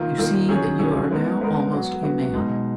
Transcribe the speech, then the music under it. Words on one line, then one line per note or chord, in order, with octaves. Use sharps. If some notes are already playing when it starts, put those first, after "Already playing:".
You see that you are now almost a man.
Already playing: D#3 A#3 F4
D#3 A#3 F4
D#3 F#3 C#4 G#4 C#5
D#3 F#3 C#4 G#4 C#5
G#3 B3 D#4 A#4
G#3 B3 D#4 A#4
F#3 B3 F#4
F#3 B3 F#4
B2 G#3 D#4